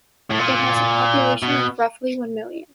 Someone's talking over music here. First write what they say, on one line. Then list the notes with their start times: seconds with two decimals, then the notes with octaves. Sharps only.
It has a population of roughly one million.
0.31 A2
0.40 A#2
1.43 B2